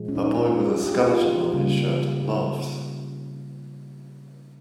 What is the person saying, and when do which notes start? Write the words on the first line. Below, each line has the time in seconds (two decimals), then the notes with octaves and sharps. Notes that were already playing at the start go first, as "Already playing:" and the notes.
A boy with a skeleton on his shirt laughs.
Already playing: A#2 F3 G#3
0.08 C#4
0.15 D#4
0.38 F4
0.62 G#4
0.84 G4
1.07 F4
1.53 C#3 G3 A#3